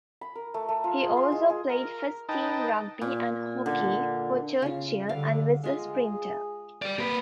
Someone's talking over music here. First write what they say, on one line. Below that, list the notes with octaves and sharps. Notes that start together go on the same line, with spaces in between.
He also played first team rugby and hockey for Churchill and was a sprinter.
B5
A#4
A3
A3
F4
G#4
C6
G#3
G#4
A#4
D#4 B4 D#5 G5 A5
A#2
D3
C#3 F4
D3 G3 F5
G#3 F4 G#4 D#5
G4 D5
A#3 B4